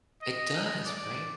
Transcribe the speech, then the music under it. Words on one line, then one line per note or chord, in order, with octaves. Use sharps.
It does, right?
D#5
D5